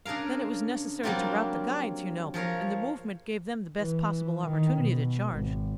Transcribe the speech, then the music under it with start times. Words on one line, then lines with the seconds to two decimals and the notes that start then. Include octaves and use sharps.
"Then it was necessary to rout the guides, you know, and the movement gave them the best possible opportunity to charge."
0.05 C#3 D4 G#4 A#4 F5
1.03 F#3 G3 A#3 C4 D4 F4
2.34 F3 G#4 A#4 C#5
3.78 E3
4.46 D#3
4.80 B2
5.32 G#1